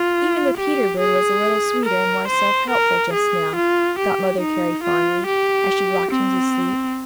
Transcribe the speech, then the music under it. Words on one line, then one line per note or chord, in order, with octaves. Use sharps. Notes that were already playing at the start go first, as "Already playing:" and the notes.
Even the Peter-bird was a little sweeter and more self-helpful just now, thought Mother Carey fondly, as she rocked him to sleep.
Already playing: F4
G4
G#4
A#4
C5
A#4
G#4
F4
G4
D#4
F4
G4
C4